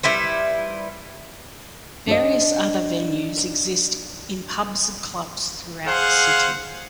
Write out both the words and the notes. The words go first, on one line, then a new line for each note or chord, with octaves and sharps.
Various other venues exist in pubs and clubs throughout the city.
G3 E4 B4 C5
D4 C5 D#5
G#4 C5 F5 F#5